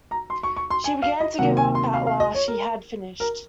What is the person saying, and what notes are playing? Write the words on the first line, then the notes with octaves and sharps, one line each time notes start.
She began to give up at last; she had finished.
A#5
C6
C#6
C#6
C6
G#5
F5
D#5
C3 D#3 F#3 A#3 F#5
G#5
C6
F5
F5
D#5
C#5
A#4
A#4